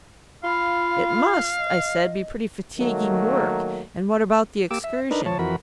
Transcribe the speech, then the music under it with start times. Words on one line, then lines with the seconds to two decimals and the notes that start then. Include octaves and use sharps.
"It must," I said, "be pretty fatiguing work, and what about the Excursion?"
0.44 F4 F5 B5
1.57 D#5
2.78 D#3 F#3 A3 A#3
4.71 A#3 G4 D6 E6
4.84 E5
5.11 D4 D#4 A#4 B4
5.26 F3 C#5 A5
5.39 F2 E3 F#4 A#4 B5